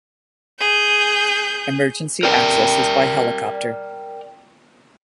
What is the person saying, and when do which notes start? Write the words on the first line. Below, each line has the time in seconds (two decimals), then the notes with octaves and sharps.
Emergency access is by helicopter.
0.59 G#4 G6
2.23 A#4 D5 G5